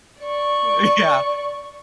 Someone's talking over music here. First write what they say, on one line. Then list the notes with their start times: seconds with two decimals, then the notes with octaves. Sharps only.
Uh, yeah,
0.21 D5 C#6